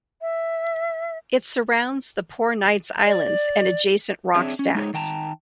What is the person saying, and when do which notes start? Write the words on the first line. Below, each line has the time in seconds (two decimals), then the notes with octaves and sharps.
It surrounds the Poor Knights Islands and adjacent rock stacks.
0.21 E5
3.05 D5
4.35 C4 D4 G#4 C#5 E5
4.59 C#4
4.75 G#3 D#4 G#4 C#5
4.94 D#3 G5 A5 A#5